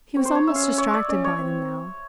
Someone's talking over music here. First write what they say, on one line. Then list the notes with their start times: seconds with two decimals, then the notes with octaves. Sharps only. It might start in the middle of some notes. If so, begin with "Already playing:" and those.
He was almost distracted by them now.
0.16 C4 C#5
0.25 C5
0.35 C#5
0.47 C#4 E5
0.55 F5
0.63 E5
0.78 C#5
0.94 D5
1.09 C#4 D5
1.24 C#5
1.39 C4